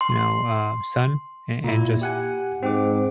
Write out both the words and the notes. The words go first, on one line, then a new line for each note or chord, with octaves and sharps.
you know, uh, son a and just
C6
A#2 E4
G4 F#5 G#5
G#2 C4 F#5 D6